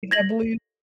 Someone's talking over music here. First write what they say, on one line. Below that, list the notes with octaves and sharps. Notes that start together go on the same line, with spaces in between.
I believe.
G#6 A#6 F#7